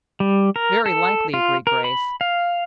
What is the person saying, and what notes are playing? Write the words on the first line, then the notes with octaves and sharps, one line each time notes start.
"Very likely," agreed Grace.
G3
A#4
A4
F4
A#4
B5
F5